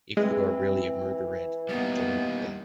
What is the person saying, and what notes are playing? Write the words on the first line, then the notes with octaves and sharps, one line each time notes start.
If you are really a murdered, get out of doubt.
E3 G#3 C4
G3 A#3 B3 D#4